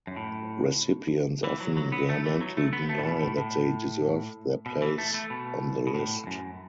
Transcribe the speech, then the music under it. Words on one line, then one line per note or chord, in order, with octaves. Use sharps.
Recipients often vehemently deny that they deserve their place on the list.
F#2
A2
E3
F#3
F#3
B3
A3
E3
F#3
A3
B3
A3
A2
B2
A2
A2
B2
E3
A3
A3
B2
B2
A2
F#2